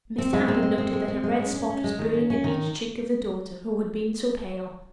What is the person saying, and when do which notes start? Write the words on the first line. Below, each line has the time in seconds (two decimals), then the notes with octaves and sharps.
Mr. Abbott noted that a red spot was burning in each cheek of the daughter who had been so pale.
0.18 C4
0.33 G#3
0.48 C4
0.63 G#3
0.78 C4
0.93 G#3
1.08 C4
1.23 G#3
1.39 C#4
1.54 C#4
1.70 C#4
1.84 G#3
1.99 D#3
2.14 C#4
2.30 C#4
2.44 D#3